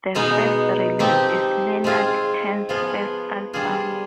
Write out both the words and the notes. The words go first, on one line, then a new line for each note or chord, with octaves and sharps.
The first release is Leonard Tan's first album.
B2 G#3 B3 D#4
F3 C4 D#4 G4
G#3 C4 F4 G#4
F3 B3 F4 G#4
G3 D4 F4 G#4